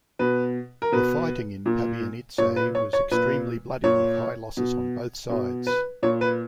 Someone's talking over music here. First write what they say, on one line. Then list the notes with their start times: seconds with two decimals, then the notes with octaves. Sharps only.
The fighting in Pabianice was extremely bloody, with high losses on both sides.
0.19 B2 B4
0.82 A#4
0.92 B2 B4
1.66 A#2
2.38 A#2 C#5
2.56 B4
2.75 C#5
2.93 C#5
3.11 A#2 B4
3.84 A#2 C#5
4.57 B2
5.30 B2
5.67 B4
6.03 A#2 C#5
6.21 B4